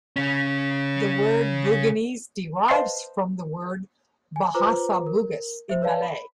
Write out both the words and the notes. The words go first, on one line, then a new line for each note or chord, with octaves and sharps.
The word Buginese derives from the word "Bahasa Bugis" in Malay.
C#3 C#4
B4 C5 D#5 F5 A5 C6
G#5
F4 B4 C5 A#5 D6
A#4
C5 E5
B4 C#5 D5 F5 A5
B5